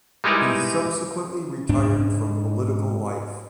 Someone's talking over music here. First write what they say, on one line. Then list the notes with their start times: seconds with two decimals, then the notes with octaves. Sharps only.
He subsequently retired from political life.
0.24 G3 G#3 D#4 E4 A#4 B4
1.69 G#2 D4